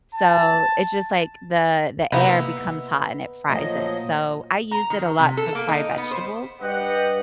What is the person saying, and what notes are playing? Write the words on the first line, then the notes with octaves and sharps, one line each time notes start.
So, it's just like the the air becomes hot and it fries it. So, I use it a lot to fry vegetables.
A5
C3 A#3 B3 D#4 E4 B4
A#2 F3 F#3 A3 A#3 D#5
A#5
D#3
C3
A4
A#3
D#4
B3
C5
G2 G4 B4 D#5 F#5